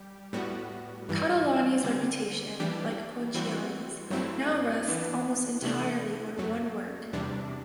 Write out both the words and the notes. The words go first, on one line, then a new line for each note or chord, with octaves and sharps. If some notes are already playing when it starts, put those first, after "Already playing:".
Catalani's reputation, like Ponchielli's, now rests almost entirely on one work.
Already playing: G3 G4
A2 G3 B3 F#4
G2 E3 G3
D3 G3 C4
E3 G3 D4 G4
E3 G3 C4 F#4
G2 F#3 A3 C4 E4
E3 B3 D4
C3 E3 A3 D4
F#2 F#3 A3
E2 C3 G3 D4